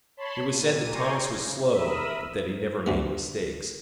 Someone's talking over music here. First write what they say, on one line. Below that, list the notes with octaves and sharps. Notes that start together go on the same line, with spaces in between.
It was said that Thomas was slow, but that he never made mistakes.
C#5 A5 B5 C6
A#2 D#7
D5 G5 G#5 A#5 C6 C#6
C#3
A#4 E5 B5 D#6 E6
D2 G2 A3